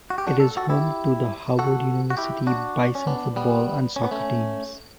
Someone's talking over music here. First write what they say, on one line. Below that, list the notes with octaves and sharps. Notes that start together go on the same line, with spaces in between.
It is home to the Howard University Bison football and soccer teams.
F#4
G4
D4 F#4
A4
F#4 A4
E4 G4
F#4 A4
F#4
E4 G4
D4 F#4
C#4
B3 D4
G3 B3
C#4
B3
A3 C#4